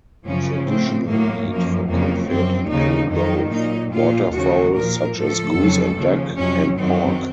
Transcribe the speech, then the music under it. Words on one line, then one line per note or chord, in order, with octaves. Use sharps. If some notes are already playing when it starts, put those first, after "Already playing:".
Traditional meat for confit include both waterfowl such as goose and duck, and pork.
F#2 C#3 F3 C#4
A2 F3 C4
A2 F#3 A#3
F#2 F3 A#3
F2 C#3 F#3 A#3
F#2 F3 C4
D#2 C#3 F3 D#4
F2 D#3 F#3 D#4
A#2 F#3 D#4
A#2 F3 F4
D#2 C#3 F3 F#4
A#2 F3 A#4
A2 F3 A4
F2 C#3 F#3
D#2 C#3 F3
F2 C3 F#3 C#4
F#2 D#3 F#3 C4